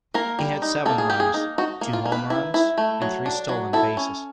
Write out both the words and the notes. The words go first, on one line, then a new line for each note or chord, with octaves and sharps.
He had seven runs, two home runs, and three stolen bases.
A#3 A#4
G3
D#4
A#3 A4
G#4
A#3 G4
G#4
D#4
D#4 F#4
A#3
F4
A#3
B4
E4
E4
A3
F#3
D4
F#3
E4 A4
C#4